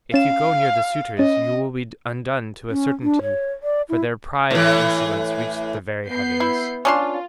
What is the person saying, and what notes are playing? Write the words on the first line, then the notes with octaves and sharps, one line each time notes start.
If you go near the suitors you will be undone to a certainty, for their pride and insolence reach the very heavens.
C#4 F5 E7
C#4 D#5
C#4
D4
C#5
D5
E4
A2 E3
B3 G6 C7
E4
C#4 D4 F4 C6